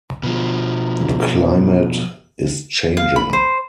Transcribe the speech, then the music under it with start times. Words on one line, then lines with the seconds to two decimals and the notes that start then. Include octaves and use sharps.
The climate is changing.
0.23 B2 F3
2.97 F5
3.16 B5
3.33 C5